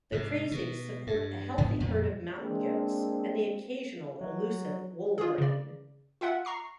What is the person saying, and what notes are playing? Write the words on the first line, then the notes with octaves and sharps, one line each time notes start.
The Crazies support a healthy herd of mountain goats and the occasional elusive wolverine.
G#2 C3
B2
G2
G#2 B3
F2 A#2 G3
G#3 A#3 C4 D4
F#3
F4 G#4
C#3 D5
F4 E5 F#5
A#5 C#6 C7